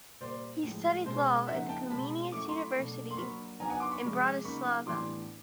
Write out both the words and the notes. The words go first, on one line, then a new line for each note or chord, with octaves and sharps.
He studied law at the Comenius University in Bratislava.
A#2 G3 A#3 C5 D5
A2 F3 G#3
B2 G#3 C#4 C5
C#3 F3 A#3 D#4 E5 F#5
G5 A5
B2 G#3 C4 A5 B5
F#3 A3 C#4 E4 D6
C#6
C6
B5 C#6
B2 F#3 A3 D4
C6
F#3 A#3 D4 B5 C#6
D#3 F#3 B3 D4 G#5 A#5
F#5 G#5
C6 D6
B5 C#6
C3 F3 G#3
C#3 F#3 A#3 D#4 B5 C#6
A2 E3 G3 B3 D4 C6 D6